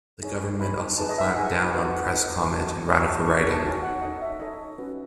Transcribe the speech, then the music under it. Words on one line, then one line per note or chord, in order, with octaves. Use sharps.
The government also clamped down on press comment and radical writing.
D#4 G#4 C#5
D#4 G#4 C#5 B5
D#4 G#4 B4 A5
D#5
E5
F#5
D#4 G#4 B4 G#5
D#4 F#4 B4 F#5
F#5
D#4 F#4 B4
F#4 A4 C#5 A5
D#5
F#4 A4 C#5
A5
D#4 F#4 A4 C#5 C#6
C#6
A5
D#4 F#4 A4 C#5 G#5
F#5
D#4 A4 C#5 D#5
E5
D#4 A4 C#5 D#5
C#4 F#4 B4